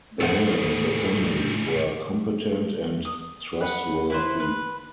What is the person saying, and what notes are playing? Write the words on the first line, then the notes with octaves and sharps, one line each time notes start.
The men in the family were competent and trustworthy.
A2 C#3 A4 C5 F#5
D#6
B4 F#5
E4 B4 C5
B4